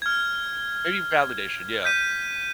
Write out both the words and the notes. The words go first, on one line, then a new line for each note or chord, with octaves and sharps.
Maybe validation, yeah.
F6 G#6
G6 B6 D#7